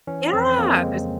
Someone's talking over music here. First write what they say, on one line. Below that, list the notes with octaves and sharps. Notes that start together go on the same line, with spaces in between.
Yeah, there's
E3 C#4
F2 C4
F2 A#3
C#3 G#3